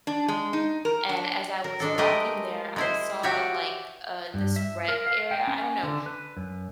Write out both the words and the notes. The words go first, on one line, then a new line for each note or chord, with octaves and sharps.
And as I was walking there, I saw, like, uh, this rec area. I don't know.
D4
G#3
D#4
A#4
D4
A#4
G#3 D4 A4
G#3 A3 G4 A#4 B4 D#5
G#3 E4 C5
F#4 G4 C#5 D5 E5
G2
E5
A#4
F5
G5
C#4
D3
B4
F#2